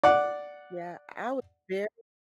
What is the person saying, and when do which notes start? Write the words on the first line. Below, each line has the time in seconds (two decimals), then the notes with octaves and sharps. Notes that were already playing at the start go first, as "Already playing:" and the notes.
Yeah, I was very
0.03 D5 F#5